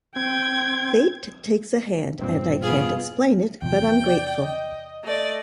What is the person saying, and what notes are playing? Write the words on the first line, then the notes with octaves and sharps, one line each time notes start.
Fate takes a hand, and I can't explain it, but I'm grateful.
C4 G5 G#6
E1 G2 A#2 C4
B2 F4 G#4
E2 C3 F3 G5
D5
D#5
A3 D5 D#5